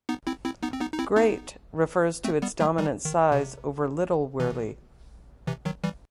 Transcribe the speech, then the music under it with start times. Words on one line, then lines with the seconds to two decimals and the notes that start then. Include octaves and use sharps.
"Great" refers to its dominant size over Little Wyrley.
0.09 B3 D#4
0.27 C4 E4
0.45 C4 E4
0.63 B3 D#4
0.73 C4
0.80 B3 D#4
0.93 D#4
0.99 C4 E4
1.16 B3 D#4
2.24 A3 C4
2.42 G3 B3
2.60 F#3 A3
2.78 E3 G3
3.05 D#3
3.32 C3
4.40 C3 E3
5.47 C3 E3
5.65 D#3 F#3
5.84 E3 G3